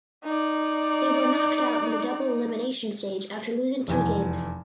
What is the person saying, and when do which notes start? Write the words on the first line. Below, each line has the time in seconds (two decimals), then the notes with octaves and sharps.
They were knocked out in the double elimination stage after losing two games.
0.24 D#4 D5
3.88 F1 E2 G#5